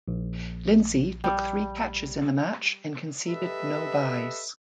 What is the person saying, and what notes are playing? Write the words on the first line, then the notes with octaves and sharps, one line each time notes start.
Lindsay took three catches in the match and conceded no byes.
A#1
G3
G4 A4 B4 D#5 E5